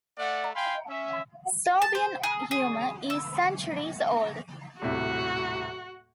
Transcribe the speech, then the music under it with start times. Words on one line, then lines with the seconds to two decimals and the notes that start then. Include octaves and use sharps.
Serbian humour is centuries old.
0.17 A3 D5 F#5
0.54 F5 G5 G#5 B5 C6
0.88 C#4 E5
1.82 A5
1.95 C5
2.24 G#4
2.51 G#4
3.10 E6
4.82 D#1 A2 C3 F#4